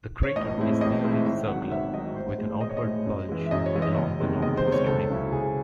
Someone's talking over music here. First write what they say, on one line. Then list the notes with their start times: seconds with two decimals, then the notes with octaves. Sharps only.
The crater is nearly circular, with an outward bulge along the northeast rim.
0.23 C#5
0.36 A1 D#5
0.58 A2 G#3 C4 E4
0.81 A1 D#5
1.04 A2 G#3 C4 E4
1.11 E5
1.26 G#1 E5
1.48 G#2 D#3 F#3 F#5
1.71 G#1 E5
1.93 G#2 D#3 F#3 D#5
2.16 A1 C5
2.38 A2 G#3
2.61 A1 D#5
2.69 C#5
2.77 D#5
2.83 A2 G#3
3.06 F#2
3.29 E3 G#3
3.46 E5
3.51 F#2 D#5
3.66 C#5
3.75 E3 G#3
3.82 D#5
3.97 F#1
4.20 E2 C3 D#3 G#3
4.42 F#1 D#5
4.57 C5
4.65 E2 C3 D#3 G#3
4.72 C#5
4.86 C#2 A4
5.10 C#3 F#3 C#4 E4
5.31 C#2 G#4